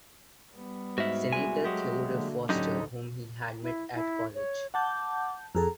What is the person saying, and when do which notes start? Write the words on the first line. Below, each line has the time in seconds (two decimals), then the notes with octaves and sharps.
Senator Theodore Foster, whom he had met at college.
0.54 G3 B3
0.98 G#2 F#4 E5
1.33 C2 G#3 G#5
1.64 F#3 G#3 A3 G4
2.07 D3 A#3
2.49 A1 D2 D3 F#3 C#4 D#4 G4
3.62 E4
3.94 E4
4.35 C#5
4.74 F#5 A5 D6 G6
5.55 F2 G#4 A4 A#5